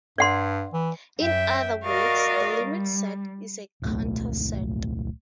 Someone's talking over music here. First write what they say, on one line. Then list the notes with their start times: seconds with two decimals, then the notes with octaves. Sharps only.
In other words, the limit set is a Cantor set.
0.18 G2 D5 F#5 C6
0.73 E3
1.19 F#2 E5 G5
1.83 F#4 A#4 D5 D#5 F5 C#6
2.62 G3
3.82 D1 B1 A3